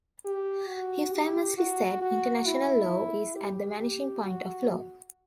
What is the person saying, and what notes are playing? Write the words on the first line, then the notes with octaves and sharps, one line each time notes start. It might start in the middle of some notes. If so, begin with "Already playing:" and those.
He famously said international law is at the vanishing point of law.
G4
F#4
G4
F#4
F#4
E4
G4
G4
F#4